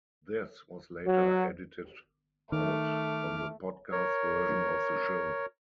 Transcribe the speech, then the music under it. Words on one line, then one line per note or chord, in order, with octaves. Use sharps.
This was later edited out on the Podcast version of the show.
F#3
D#3 A3 D6 F6
A#4 C#5